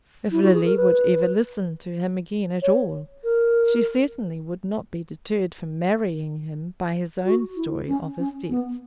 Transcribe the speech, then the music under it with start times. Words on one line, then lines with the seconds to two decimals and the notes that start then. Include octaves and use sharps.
If Lily would ever listen to him again at all, she certainly would not be deterred from marrying him by his own story of his debts.
0.32 E4
0.43 F#4
0.53 G#4
0.65 A#4
0.76 B4
2.62 C#5
3.24 A#4
7.25 F#4
7.56 E4
7.88 C#4
8.19 C#4
8.50 B3